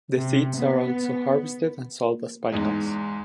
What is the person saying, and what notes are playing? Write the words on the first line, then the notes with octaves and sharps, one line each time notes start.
The seeds are also harvested and sold as pine nuts.
C3
B3
E2 G#2 G#3